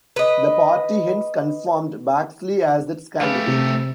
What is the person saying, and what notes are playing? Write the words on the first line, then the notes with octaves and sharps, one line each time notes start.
The party hence confirmed Baxley as its candidate.
B4 D#5
A3 G4 G#4 B4 F5
C3